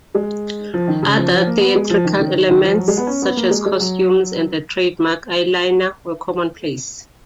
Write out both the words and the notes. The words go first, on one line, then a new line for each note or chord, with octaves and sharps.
Other theatrical elements, such as costumes and the trademark eyeliner, were commonplace.
G#3
F3
D#3
C#3
F3
F3
A#3
B3
G#3
F3
D#3
D#3
D#3
D#3
F3
F#3
G#3
B3
C#4
B3
A#3
G#3
G#3
F#3